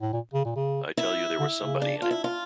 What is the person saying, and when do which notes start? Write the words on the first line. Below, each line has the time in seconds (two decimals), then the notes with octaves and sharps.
I tell you there was somebody in it.
0.01 A2
0.13 A#2
0.34 C#3
0.45 A#2
0.56 C#3
0.97 E4
1.40 D3
1.62 C#3
1.82 D4
2.02 F4
2.11 E4
2.24 F4